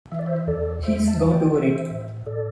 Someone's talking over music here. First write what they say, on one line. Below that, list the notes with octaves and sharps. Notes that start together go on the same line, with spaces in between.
He’s got over it.
E3 E5
D5
C5 E5
E2 A4 D5
E2 C5 E5
E5 A5
E3
D5 G5
E3 C5 E5
A2
A2 A4 D5